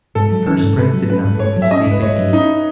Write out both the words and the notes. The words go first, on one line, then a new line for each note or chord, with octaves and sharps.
At first Prince did nothing but sleep and eat.
G#2 A4
F#3
C#4 A4
G#2
G#2 B4
F#3
C#4 B4
G#2
G#2 C#5
F#3
E5
C#4 D#5
G#2 B4
G#2 C#5
F#3
C#4 D#4